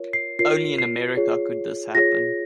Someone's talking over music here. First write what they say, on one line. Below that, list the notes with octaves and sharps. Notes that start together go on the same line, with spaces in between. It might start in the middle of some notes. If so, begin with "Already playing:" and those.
Only in America could this happen.
Already playing: F4 A#4 C#5
C7
F4 A#4 C#5 C7
C7
F4 G#4 C#5
F4 G#4 C#5 A#6